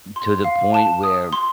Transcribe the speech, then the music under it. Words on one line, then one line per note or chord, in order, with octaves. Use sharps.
to the point where
C6
F5
A5
D#6
C6